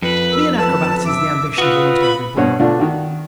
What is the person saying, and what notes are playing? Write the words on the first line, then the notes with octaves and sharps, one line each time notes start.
To be an acrobat is the ambition of almost every boy.
F2 B4
A#4 E6
A4 B4 A5
E5 D6 E6
F4 F#4 B4 D#6 E6
B5
G2 B2 C#5
B2 D3 A3 D4 F4
D#3 F#4